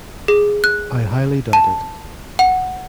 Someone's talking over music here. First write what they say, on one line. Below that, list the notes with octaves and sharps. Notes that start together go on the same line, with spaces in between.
I highly doubt it.
G#4
F#6
A5
F#5